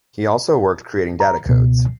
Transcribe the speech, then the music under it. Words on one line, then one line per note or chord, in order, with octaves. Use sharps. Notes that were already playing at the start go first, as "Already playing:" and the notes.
He also worked creating data codes.
A#5
C#2 B2